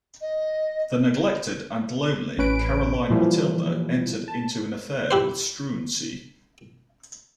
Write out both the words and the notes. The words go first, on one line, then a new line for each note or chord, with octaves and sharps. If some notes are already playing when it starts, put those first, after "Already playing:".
The neglected and lonely Caroline Matilda entered into an affair with Struensee.
D#5
A1 C#4 B4 D7
A#2 E3 F3 G3
A5
E4 G4 C5